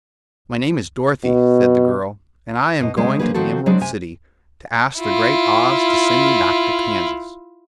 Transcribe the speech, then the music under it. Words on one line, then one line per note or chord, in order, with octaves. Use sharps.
"My name is Dorothy," said the girl, "and I am going to the Emerald City, to ask the Great Oz to send me back to Kansas."
B2
B2 D#5
C#3 G#3 C4
F3 A#3 C#4 D4 G#4 B4
D#3 F3 C4 F#4 A4
F#3 G#3 C4 D4 G#4 D5
C3 G#5
E4 F4